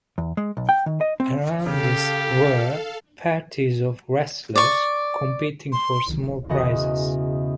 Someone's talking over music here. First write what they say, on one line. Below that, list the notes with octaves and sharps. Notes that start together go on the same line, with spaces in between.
Around this were parties of wrestlers competing for small prizes.
E2
G#3
B1
G5
D#3
D#5
C4
C#3 G4 A4 F5
D5 C#6
C6
E1 E2 C#3 F#4 D#5 F#5